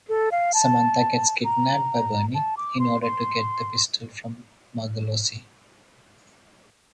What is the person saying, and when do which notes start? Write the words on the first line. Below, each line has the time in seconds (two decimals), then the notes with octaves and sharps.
Samantha gets kidnapped by Bernie in order to get the pistol from Margolese.
0.09 A4
0.32 F5
0.54 A5
1.44 A#5
2.34 A5
2.57 D6
2.79 C6
3.02 C6